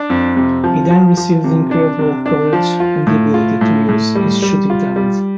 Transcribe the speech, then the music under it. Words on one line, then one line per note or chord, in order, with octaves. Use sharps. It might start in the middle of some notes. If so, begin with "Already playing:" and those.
He then received incredible courage and the ability to use his shooting talent.
Already playing: D4
F2
C3
F3
F3
F3
C3
D4
C3
D4
F3
F4
A2
F4
A2
A2
G3
G3
F4
G3